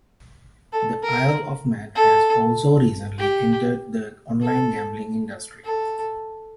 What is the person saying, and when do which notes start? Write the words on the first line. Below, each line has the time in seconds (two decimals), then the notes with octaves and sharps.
The Isle of Man has also recently entered the online gambling industry.
0.73 A4
1.03 A#4
1.95 A4
3.18 G4
4.41 A4
5.64 A4